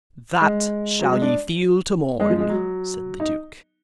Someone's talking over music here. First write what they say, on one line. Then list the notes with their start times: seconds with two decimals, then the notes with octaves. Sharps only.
That shall ye feel to-morn, said the duke.
0.41 G#3
1.01 F#3
1.12 G#3
1.22 D4
2.20 G#3
2.30 F3
2.40 G#3
2.50 F#3
3.20 D#4